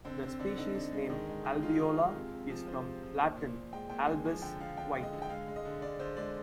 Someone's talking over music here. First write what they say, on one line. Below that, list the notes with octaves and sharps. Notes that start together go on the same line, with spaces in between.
The species name "albeola" is from Latin "albus", "white".
D3 C4
D3 C4
D3 D4
D3 D#4
D3
G#3
D#3
G#3
D#3
G#3 F4
D#3
G#3
C3
C3
F3
F3 C5
C3
F3
A#2
A#2
A#2
G#3 G5
A#2 G5
G#3 G#5
F3 G#5
D3 G5
D3 F5
D3 G5
G#3
D#5
D3
G5
G#3 F5
G#3
D#5
D3
D3 D5
D3 C5
G#3 D5